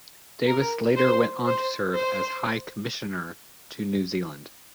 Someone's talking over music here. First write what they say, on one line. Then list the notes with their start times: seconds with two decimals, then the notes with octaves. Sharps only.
Davis later went on to serve as High Commissioner to New Zealand.
0.47 A#4
0.96 C5
1.47 C5
1.97 C5